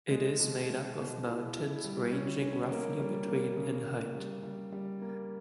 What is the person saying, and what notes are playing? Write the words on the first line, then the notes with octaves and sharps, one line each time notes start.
It is made up of mountains ranging roughly between in height.
G#3
B2
G#3
B2
E4
E4
G3
C#4
C#4
A#3
G3
A#3
C#3
C#3
G3
G3
G3
A#3